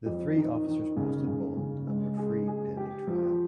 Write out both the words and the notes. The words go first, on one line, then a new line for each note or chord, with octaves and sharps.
The three officers posted bond and were freed pending trial.
F2
D#3
D#3
C#3
C#3
C#3
G#3
G#4
G#4
G4
F3